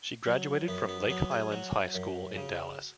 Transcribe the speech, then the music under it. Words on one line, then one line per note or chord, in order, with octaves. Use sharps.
She graduated from Lake Highlands High School in Dallas.
F#3
F#2 B3
B3
F#3 B3
G#4
F#3 F#4
F#2
C#3